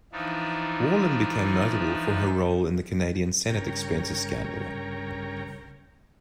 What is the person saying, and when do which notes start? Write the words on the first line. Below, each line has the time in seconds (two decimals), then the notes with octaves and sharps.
Wallin became notable for her role in the Canadian Senate expenses scandal.
0.12 E3 F3 D4 D#4
3.49 G2 C#3 A#4 C#5 G5 A#5